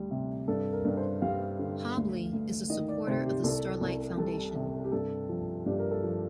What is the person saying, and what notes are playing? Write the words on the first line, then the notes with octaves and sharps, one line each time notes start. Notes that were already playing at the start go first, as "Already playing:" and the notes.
Hobley is a supporter of the Starlight Foundation.
Already playing: D2 G3
C3
G2 A4
A#4
G2
C5
G3 F5
D3
D2
D2
D#3 D#5
D5
C3 C5
G4
C2 A4
C2
G3 A4
C3
G4
G2 A4
F3
G2 G4
A#4
A4
F3